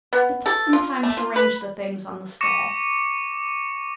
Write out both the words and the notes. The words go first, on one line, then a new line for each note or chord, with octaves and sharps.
It took some time to arrange the things on the stall.
B3
A4
F4
A3
F4
B4
C#6 D6 A#6 C#7 E7